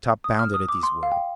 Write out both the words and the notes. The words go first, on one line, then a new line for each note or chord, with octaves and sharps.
Top bounded at these words.
D#6
F6
D#6
D6
C6
F5
G5